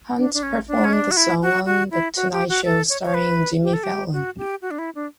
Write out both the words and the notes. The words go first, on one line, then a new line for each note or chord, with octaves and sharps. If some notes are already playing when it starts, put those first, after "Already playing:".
Hunt performed the song on "The Tonight Show Starring Jimmy Fallon".
D4
D4
C#4
D4
C#4
D4
F#4
E4
F#4
F#4
E4
F#4
G4
F#4
A4
C#5
C#5
B4
G4
A4
G4
F#4
G4
F#4
D4
E4
D4